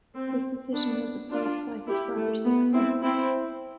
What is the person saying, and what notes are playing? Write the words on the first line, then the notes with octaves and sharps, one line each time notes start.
This decision was opposed by his brother Sixtus.
C4
B3 D4
D4 F4
E4 G4
A3
B3
C4 E4
C4 E4